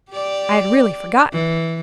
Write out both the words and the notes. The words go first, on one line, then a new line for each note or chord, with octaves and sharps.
I had really forgotten.
G4 D5
E3